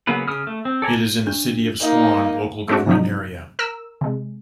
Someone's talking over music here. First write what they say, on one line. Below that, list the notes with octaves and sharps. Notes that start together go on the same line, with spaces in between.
It is in the City of Swan local government area.
C#3 F#3 A#3 B3 B4
C#3 D#6 F6
A3
C4
A4 D5 G#5 A#5
D4
A#3 D#4
G#3 A3 C4 D4 F#4
G#2 C3 F3 F#3 D4 D#4
A#4 E6
C3 G#3